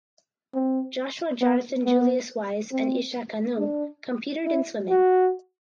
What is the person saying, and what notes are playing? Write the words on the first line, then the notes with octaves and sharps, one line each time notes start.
Joshua Jonathan Julius Wyse and Isha Kanu competed in swimming.
C4
B3
B3
C4
D4
E4
F#4